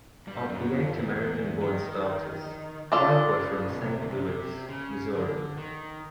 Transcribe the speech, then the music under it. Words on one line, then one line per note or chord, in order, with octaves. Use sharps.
Of the eight American-born starters, five were from Saint Louis, Missouri.
G2 G3
F#2 F#3
F2 F3
E2 E3
D#3
E2 E3
D#3
D#3 D4 F4 A4 D5
D3
C#3
B2
C3
D#3
D3
C#3
C3
C#3
D3
D#3